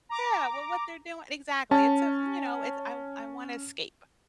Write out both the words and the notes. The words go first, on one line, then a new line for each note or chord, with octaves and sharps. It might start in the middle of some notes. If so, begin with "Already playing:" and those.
yeah, with what they're doin exactly, it's a, you know, it's I I wanna escape.
A#5 D6
C#4 A5